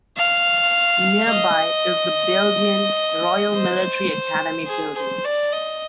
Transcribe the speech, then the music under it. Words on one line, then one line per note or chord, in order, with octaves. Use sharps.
Nearby is the Belgian Royal Military Academy building.
F5
D#5
C5
G#4
C5
D5
D#5